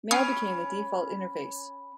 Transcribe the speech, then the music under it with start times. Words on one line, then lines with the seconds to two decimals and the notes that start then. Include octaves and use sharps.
Mail became the default interface.
0.11 C#4 G#5 B5 C#6 D#6 C7